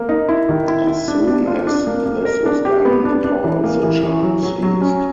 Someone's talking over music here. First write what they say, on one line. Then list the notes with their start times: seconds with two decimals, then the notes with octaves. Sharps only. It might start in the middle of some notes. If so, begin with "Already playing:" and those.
As soon as this was done, the power of the charm ceased.
Already playing: A#3
0.09 D#4
0.29 E4
0.49 D#3
0.68 E4
0.87 E4
1.08 D4
1.27 D4
1.47 F4
1.67 D4
1.87 A#3
2.06 A#3
2.25 A#4
2.46 D4
2.65 G4
2.85 B3
3.05 D4
3.24 D4
3.44 E3
3.64 A#3
3.83 E3
4.03 E3
4.23 F#3
4.43 F#3
4.63 F#3
4.81 C#4